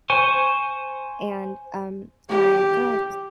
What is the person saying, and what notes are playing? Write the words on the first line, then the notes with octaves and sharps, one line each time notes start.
and, um, my girl
C5 G#5 C#6
G4